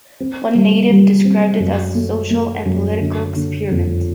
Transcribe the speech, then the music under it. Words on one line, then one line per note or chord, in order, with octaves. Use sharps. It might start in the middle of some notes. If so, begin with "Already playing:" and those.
One native described it as a social and political experiment.
C4
G3
G3
C4
F#2
A3
A3
F#2
D3
D3
F2